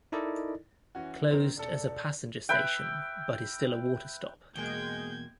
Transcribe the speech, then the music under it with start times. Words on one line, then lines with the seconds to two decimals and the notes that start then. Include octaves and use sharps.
Closed as a passenger station but is still a water stop.
0.12 D#4 E4 A4 A#4 D5 D#5
0.95 E3 C#4 F#4
1.31 D#3 C4
1.57 E1 A4 D5 C#7
2.49 B4 E5 G5
4.55 E2 B2 G#3 A#3 G5 G6 G#6